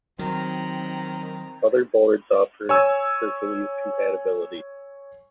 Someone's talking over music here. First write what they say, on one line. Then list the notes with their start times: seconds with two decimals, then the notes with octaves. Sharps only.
Other boards offered Hercules compatibility.
0.19 D#3 F#3 C4 A#5
2.69 C#5 G#5 E6